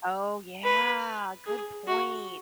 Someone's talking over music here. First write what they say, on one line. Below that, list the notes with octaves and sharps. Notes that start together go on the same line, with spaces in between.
Oh, yeah, good point.
B4
G#4
F#4